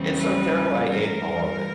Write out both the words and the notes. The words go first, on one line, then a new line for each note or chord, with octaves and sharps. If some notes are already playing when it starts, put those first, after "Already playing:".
It's so terrible, I ate all of it.
Already playing: E2 C#3 E3 G3 C4
B4
G2 E3 G3 A#4